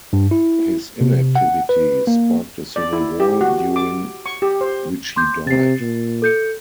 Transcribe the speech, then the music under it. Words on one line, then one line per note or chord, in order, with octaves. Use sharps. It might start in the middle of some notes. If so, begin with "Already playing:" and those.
His inactivity sparked a civil war, during which he died.
G2
E4
C3
F#5
B4
A#3
D5
E4
G4
F#4
D6
C#6
G4
C5
C6 D6 G6
C3 A6 C7
A#2
A4 G6 C#7